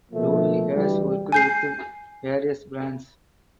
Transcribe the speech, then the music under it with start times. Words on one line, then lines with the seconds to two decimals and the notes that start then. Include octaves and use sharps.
Looi has worked with various brands.
0.12 B2 F3 A3 A#3
0.72 D2 E3 G3
1.32 G#5 G6 C7